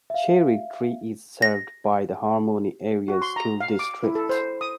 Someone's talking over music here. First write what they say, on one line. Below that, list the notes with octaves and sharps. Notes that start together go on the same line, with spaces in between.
Cherry Tree is served by the Harmony Area School District.
E5 F5
A#6
F#4
C6
A#5
F5
D6
E4
A4
C5
D#6